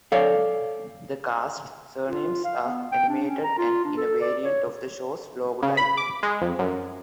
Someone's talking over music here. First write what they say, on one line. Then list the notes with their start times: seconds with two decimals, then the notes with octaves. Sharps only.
The cast's surnames are animated and in a variant of the show's logotype.
0.12 A4 C#5 D5 F5
2.05 F4
2.44 F5
2.65 B3
2.92 G5
3.09 D4
3.28 C#4
3.44 A#5
3.58 F4
3.84 D4
3.97 A4
4.21 D5
4.45 C#5
5.62 C#3
5.77 B5
5.97 D6
6.23 G#3
6.42 F2
6.59 F#2